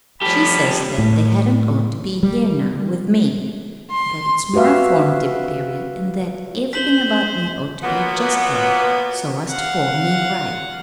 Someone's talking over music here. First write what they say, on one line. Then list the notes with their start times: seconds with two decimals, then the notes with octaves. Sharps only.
She says that they hadn't ought to be here now--with me; that it's my form'tive period, and that everything about me ought to be just right so as to form me right.
0.22 F3 G3 G4 A4 B5
0.98 A2
2.23 G3
3.91 C6
4.54 F#4 G4 B4 E5 F5
6.73 C5 B6 F#7 G7
7.83 A#2 F#3 A#3 B3
9.50 F5 F#5